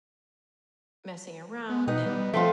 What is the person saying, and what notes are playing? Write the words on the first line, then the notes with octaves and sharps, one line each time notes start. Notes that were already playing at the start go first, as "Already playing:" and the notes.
messing around and
B3
B2 B3 D#4 F#5
G3
F3 A3 C4 F4